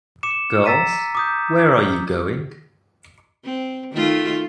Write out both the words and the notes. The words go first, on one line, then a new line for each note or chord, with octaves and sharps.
Girls, where are you going?
D6 C#7 E7
A#5 E6 A6 B6 D#7
D6 D#6 G6
C4
D#3 A3 F4